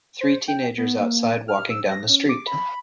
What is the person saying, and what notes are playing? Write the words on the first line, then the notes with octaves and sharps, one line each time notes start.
Three teenagers outside walking down the street.
C5
G5
B3
A#3
F6
E6
A#6
C#4
D6
B5